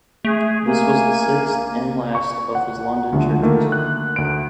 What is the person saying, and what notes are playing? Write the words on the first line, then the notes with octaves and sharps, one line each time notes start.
This was the sixth and last, of his London churches.
A3 G#4
A#3 G#5
C#6
F#5
D2 D3 F3
D#3 A3 A#3
F#6
D2 D7